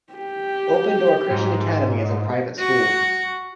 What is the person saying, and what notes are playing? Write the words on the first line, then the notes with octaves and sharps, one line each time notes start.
Open Door Christian Academy is a private school.
G4
G#2
F#4